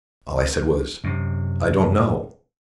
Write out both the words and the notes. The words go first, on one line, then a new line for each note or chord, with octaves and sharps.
All I said was: "I don't know."
F#2 C3